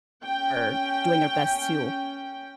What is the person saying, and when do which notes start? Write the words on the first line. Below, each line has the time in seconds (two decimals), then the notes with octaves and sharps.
are doing their best to
0.24 C#4 G5